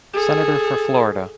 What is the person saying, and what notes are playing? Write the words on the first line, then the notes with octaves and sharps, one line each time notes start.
Senator for Florida.
G#4 A4